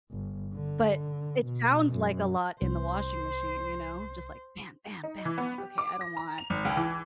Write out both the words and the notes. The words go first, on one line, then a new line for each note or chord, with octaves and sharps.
but it sounds like a lot in the washing machine, you know, just like bam bam bam I'm, like, okay, I don't want,
G1
D3
B2
F#2
C2 C5
D#4
E3
B3
G4
D6
A#6
A#5
F7
G#1
C#2
E3